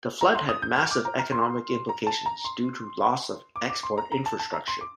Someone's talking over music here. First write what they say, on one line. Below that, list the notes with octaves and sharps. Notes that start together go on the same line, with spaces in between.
The flood had massive economic implications due to loss of export infrastructure.
A#5
C6
D#6
G6
F6
D6
A#5
A#5
C6
A#5
A5
A#5
C6
D6
D6
C6
A#5
A#5
A5
A5
A#5
C6
D6